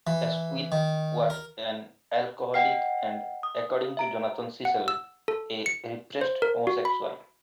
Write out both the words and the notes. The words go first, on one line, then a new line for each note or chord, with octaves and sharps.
Asquith was an alcoholic and, according to Jonathan Cecil, a repressed homosexual.
E3
D#3
A#4
D#5 F#5 G5 F6 C7
D#6
E5 A#5 D7
F#5
E6
A4
C#7
C5
A#4
F#4
B5